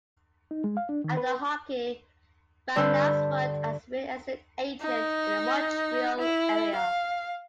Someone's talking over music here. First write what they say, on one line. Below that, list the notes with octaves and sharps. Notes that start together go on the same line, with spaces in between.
After hockey, Vadnais worked as a real estate agent in the Montreal area.
D#4
G#3
F5
D4
D#3
B4
G2 D3 B4 C6 E6 G6
D#4
E4
F5